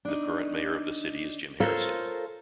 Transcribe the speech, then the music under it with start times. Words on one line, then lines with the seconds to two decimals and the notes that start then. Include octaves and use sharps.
The current mayor of the city is Jim Harrison.
0.05 D4 D#4
1.60 F4 A4 A#4 C5 C#5 F5